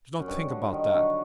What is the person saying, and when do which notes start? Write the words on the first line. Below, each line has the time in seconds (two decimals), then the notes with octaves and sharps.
Do not think about that.
0.19 F#2
0.28 G2
0.50 D3
0.72 D#3
0.94 D3 F#3